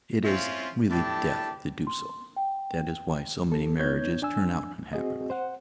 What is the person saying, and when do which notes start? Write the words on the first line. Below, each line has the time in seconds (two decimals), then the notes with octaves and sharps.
It is really death to do so--that is why so many marriages turn out unhappily.
0.24 C4 C#4 E4 F4
0.90 A2 D4 G4 A5
1.87 C6
2.37 G5
3.52 A4
3.80 B3 D#4 C#5 G6 G#6
4.22 D4 G#5 E6
4.93 C4 F#4 G#4 D#5
5.30 C5 F#5